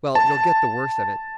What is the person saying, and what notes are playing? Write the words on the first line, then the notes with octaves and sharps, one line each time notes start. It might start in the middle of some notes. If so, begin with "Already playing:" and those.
Well--you'll get the worst of it.
A5